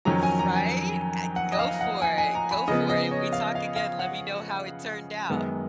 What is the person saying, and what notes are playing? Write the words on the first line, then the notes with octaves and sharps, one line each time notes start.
Right? Uh, go for it. Go for it. And we talk again, let me know how it turned out.
F2 D#3 F#3 C#4 A#5
G#5
A#5
G#5
F#5
D#5
F5
F#5
G#5
G#5
A#5
B5
C#3 F3 B3 D#5
D#5
C#5
F5
F5
F5
F#5
F#2 D#3 G#3 B3